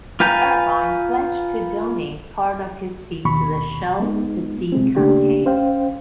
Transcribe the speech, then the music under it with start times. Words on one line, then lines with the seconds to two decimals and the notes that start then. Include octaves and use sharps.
Irvine pledged to donate part of his fee to the Shell to Sea campaign.
0.20 F4 B4 G5 G#5 A#5
3.25 D#2 B2 B5 C#6
4.00 G#3 B3 D#4
4.72 C3 G#3 C4
4.96 C#3 A3 A#3 D4 G4
5.46 C#4 C5 F5 G5